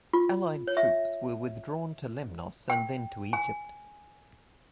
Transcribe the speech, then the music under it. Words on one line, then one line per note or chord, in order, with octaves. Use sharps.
Allied troops were withdrawn to Lemnos and then to Egypt.
F4
C#5
E5
G5
G#5